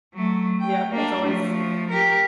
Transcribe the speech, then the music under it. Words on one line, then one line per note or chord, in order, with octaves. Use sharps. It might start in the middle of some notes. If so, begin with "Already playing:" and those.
Yep, it's always
F#3 A3
G5
A#3 D4
F3 A3
G4 A#4